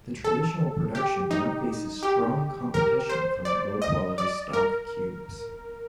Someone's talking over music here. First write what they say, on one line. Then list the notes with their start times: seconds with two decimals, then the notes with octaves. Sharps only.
The traditional production now faces strong competition from low-quality stock cubes.
0.24 A4
0.95 G4
1.31 D#4
2.03 G4
2.74 A#4
3.09 C5
3.45 D5
3.82 D#5
4.18 D5
4.53 A#4